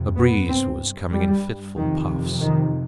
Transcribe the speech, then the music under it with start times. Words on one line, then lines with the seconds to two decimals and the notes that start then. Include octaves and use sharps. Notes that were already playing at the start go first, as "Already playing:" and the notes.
A breeze was coming in fitful puffs.
Already playing: F2 C3
0.15 B3
0.48 G2 C4
1.12 G3
1.76 F2 C3 D#3
2.41 D#3